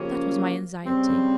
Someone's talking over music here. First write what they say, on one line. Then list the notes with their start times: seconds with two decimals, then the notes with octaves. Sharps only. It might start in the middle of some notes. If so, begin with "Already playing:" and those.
That was my anxiety.'
Already playing: C#3 F3 A#3 C#4 G4
0.82 C#3 G3 C4